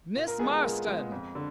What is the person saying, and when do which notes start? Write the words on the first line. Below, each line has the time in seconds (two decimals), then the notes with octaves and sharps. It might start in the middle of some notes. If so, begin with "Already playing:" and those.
"Miss Marston!"
0.16 A#2
0.28 A#4
0.39 G#3 B3 G#4
0.51 G#4
0.63 A#2 A#4
0.87 G#3 B3
1.12 F2
1.35 D3